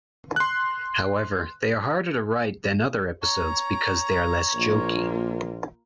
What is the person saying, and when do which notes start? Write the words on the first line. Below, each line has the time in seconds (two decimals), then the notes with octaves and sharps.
However, they are harder to write than other episodes because they are less jokey.
0.36 C6 F#6
3.23 C#5 A#5
4.54 A#1 A#3 F4